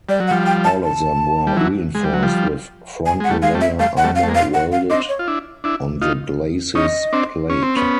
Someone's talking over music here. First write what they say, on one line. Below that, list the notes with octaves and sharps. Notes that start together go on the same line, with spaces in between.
All of them were reinforced with frontal layer armor welded on the glacis plate.
G3 D5
F#3
F#5
F3 G3
G5
A5
A5
G3
E3 F#3
G#3
G3
F#3
F3 G3
G#5
G#3 F#5
G3 A3
G#3 F5
G3 A3
E5
G3 A3 F5
F#5
G3 A3
F5
A3
G#3 A#3
F5
F#5
F5
C4 D4 D#5
C#5
F4
D4 E4
D4 E4
D#4 F4
C#4 D#4 D#5
C4 D4
C#4
C4
B3 C#4